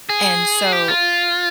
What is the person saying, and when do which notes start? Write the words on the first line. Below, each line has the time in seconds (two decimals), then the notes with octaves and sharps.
and so
0.09 G#4
0.72 G4
0.88 F4